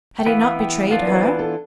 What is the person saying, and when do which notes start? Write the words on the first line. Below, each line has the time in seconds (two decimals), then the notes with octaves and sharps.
Had he not betrayed her?
0.19 G5
0.26 E3 B3 E4 B4 F5
0.43 F5
0.59 G5
0.90 E3 B3 D4 F4 F5
0.99 D5
1.07 B4
1.15 C5
1.23 B4
1.39 A4